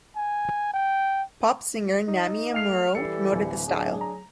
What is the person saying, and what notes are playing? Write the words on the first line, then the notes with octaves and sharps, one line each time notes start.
Pop singer Namie Amuro promoted the style.
G#5
G5
D#4
A3 F5 F6 C7 F7
E3 G3 A4 C#7
D1
F#3 D4 G#4
A#5